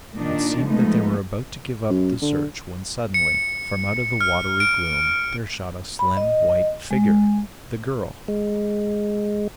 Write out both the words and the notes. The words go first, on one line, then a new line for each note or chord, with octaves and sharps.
It seemed that they were about to give up the search when suddenly, from out of the watery gloom, there shot a slim white figure--the girl!
A#2 D#3 D4 D#4
F3 G#3 A3 B3 D#4
F#2
D3
C#7
F6
D7
B5
D#5
G#3
G#3